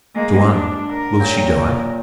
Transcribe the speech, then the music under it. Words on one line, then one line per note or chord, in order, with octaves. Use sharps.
"Tuan, will she die?"
G#3 A#3
D4
A#4 F#5
A#2 F#3 G5